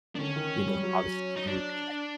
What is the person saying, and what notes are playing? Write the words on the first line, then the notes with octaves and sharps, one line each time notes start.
you know, obviously you would be, like,
D#3 D4
D3 C#4
D#3
G3
F#3
D#4
D4